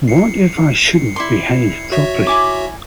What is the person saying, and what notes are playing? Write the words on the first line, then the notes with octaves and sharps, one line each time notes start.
What if I shouldn’t behave properly?
C7 C#7
E4 D5 C6
F#4 C#5 E5
E4 G#5 D6